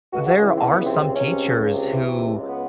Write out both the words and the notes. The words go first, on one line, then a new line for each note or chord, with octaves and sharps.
there are some teachers who
C#2 F#4
C#2 F#4
E3
E3 C4
C#2 B3
C3 C4
C#2 C4
C3 C#4
C#2
C#2
C#2
C3
E3
C3
C#2
C#2
B3